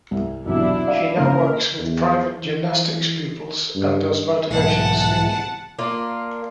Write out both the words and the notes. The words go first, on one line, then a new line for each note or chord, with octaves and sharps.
She now works with private gymnastics pupils and does motivational speaking.
C2
B1 E2 C3 D4 E4
D5 F5
C#3 A#3 A#4
E2
E3
G2
B1 G#2 E3 G#3 A#3 F#5 A5
A#3 D4 F4